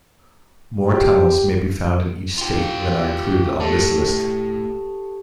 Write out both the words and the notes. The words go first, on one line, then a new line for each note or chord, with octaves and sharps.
More tunnels may be found in each state than are included on this list.
G4
F4 G4
A2 G4 A4 A5